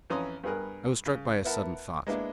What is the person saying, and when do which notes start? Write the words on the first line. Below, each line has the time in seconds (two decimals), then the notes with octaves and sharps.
I was struck by a sudden thought.
0.10 F2 E3 C#4 A#5 C6 D#6
0.44 G2 B3 G#4 A#4 F#6
1.06 C#3
1.45 B3 E4 A#4 F#5 A5
2.07 G#3 A#3 B3 D4 E4